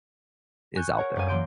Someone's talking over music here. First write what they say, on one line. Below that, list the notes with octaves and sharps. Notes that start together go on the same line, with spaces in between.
is out there.
G#5 C#6 F#6 G6
A#4 C#5 F#5
F#2 G3 F5 G#5 D#7
E3 F#3 A#3 C6 G6 D7